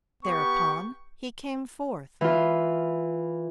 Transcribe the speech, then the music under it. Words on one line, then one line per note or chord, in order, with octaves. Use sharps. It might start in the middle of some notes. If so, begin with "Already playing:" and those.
Thereupon he came forth.
B3 G4 C#6
E3 F4